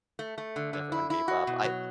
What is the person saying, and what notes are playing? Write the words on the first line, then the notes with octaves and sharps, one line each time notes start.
everyone gave up. I
A3
A3
D3
D3
E4
E4
F#4
B2
F#3